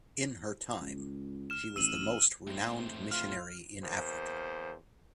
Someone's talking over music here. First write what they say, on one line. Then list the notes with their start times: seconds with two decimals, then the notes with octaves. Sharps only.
In her time "she was the most renowned missionary in Africa".
0.80 C#2
1.50 F6 E7
1.76 A1 E6 D#7 F#7
2.47 A2 C4
3.11 F4 F6
3.83 E2 A#3 C5